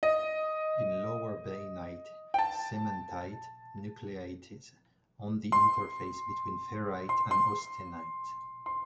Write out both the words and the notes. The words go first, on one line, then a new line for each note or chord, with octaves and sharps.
In lower bainite, cementite nucleates on the interface between ferrite and austenite.
D#5
G5
A5
C6
C6
C6
C6